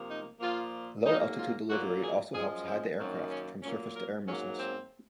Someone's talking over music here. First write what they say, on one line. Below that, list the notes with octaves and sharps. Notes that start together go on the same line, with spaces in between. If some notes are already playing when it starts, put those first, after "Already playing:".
Low-altitude delivery also helps hide the aircraft from surface-to-air missiles.
Already playing: C3 F3 A#3
D#4
A#2 F3 A#3 F4
G#2 F#3 A#3 D#4
F4
A#2 F#3 A#3 F#4
G#4
F#2 F3 G#3 G#4
C4
F#2 D#3 F#3 A#3 C4
C#4
A#2 F#3 A#3 C#4
A#4
G#2 F#3 A#3 C#4
C4